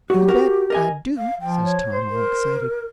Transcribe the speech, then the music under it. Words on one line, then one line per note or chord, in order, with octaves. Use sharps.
"You bet I do," says Tom, all excited.
F#3 F#4 G4
F#4 A#4
A#4 D#5 G#5
F5
F3 G5
C#5
C5
A#4